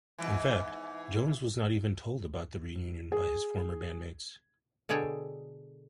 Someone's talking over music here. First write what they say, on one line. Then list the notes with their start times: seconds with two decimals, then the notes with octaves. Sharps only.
In fact, Jones was not even told about the reunion by his former bandmates.
0.18 E2 G#2 E3
3.12 G#4
4.89 B2 D3 G#4 A4 C#5 G5